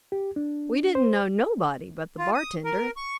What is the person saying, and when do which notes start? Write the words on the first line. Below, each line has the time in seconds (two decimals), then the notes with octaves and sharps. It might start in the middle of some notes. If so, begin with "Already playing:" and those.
We didn't know nobody but the bartender.
0.12 G4
0.36 D4
0.95 C5
2.18 F4
2.34 D#6
2.64 A#4
2.97 C#6